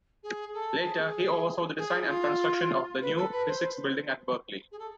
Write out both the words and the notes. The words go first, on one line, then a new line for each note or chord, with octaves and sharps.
Later, he oversaw the design and construction of the "new" physics building at Berkeley.
G#4
A4
G#4
G#4
E4
F4
B4
A4
B4
C5
G#4
A4